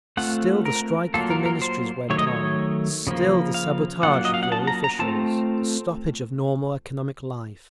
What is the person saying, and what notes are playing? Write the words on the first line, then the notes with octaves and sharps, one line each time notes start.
Still the strike of the Ministries went on, still the sabotage of the old officials, the stoppage of normal economic life.
A3 C4 F4 F#5
A#4
F#3 A#3 F4 A4
A#4
A#4
C5
D#3 F#3 A3 C#5
D#5
C#5
C#3 F3 A#3
F5
F#3 A#3 C#4 F4 F#5
D#5
F5
F#5
A5
A#5
A#5
A3 C4 F4 A5